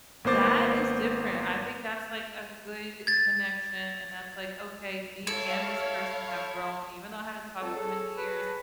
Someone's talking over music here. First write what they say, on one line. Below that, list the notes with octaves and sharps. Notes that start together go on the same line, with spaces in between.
That is different. I think that's, like, a good connection, and that's like, "Okay, me and this person have grown, even though I haven't talked to them in years,
G#1 A#3 B3 C5 D6 A6
G#6 A6
E4 A4 C#5 F5
F2 A4
G#4 C#5 A5
B4